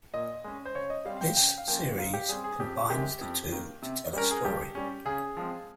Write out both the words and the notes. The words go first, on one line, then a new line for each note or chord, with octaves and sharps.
This series combines the two to tell a story.
A#2 D#5
G#3 C#4
C5
C#3 C#5
D#5
G3 C4 F5
F5
G5
C#3 G5
F5
F3 A#3 C#4 G5
G#2 F5
G4
G3 C4 G#4
G#4
F2 G4
C3 D#3 G#3 G4
F2
D#3 A#3
C3
G3 C#4 A#4
G#4
G2 G4
G3 C#4
C#3 G#4
F3 G#3 C4